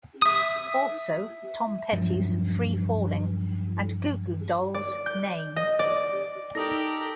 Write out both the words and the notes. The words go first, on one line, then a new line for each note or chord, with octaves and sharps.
Also, Tom Petty's "Free Falling" and Goo Goo Dolls' "Name".
E5 D#6
G2 F3 F#3
D5
G6
D#5
D5
D#4 G4 A4 A#4 D#6 A#6